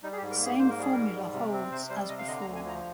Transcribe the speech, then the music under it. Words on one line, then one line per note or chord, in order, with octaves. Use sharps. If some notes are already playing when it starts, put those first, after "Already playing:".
The same formula holds as before.
G3 D#4
G#4
G4
G#2
A#4
A#3 G#4
G#2 C5
A#4
G3 G#4
G#2 A#4
G3
C3
C4
C3 C5
G3 C5
C3 D#5
F5
D3 D#5
A#5
D2
G#5
F3 A#5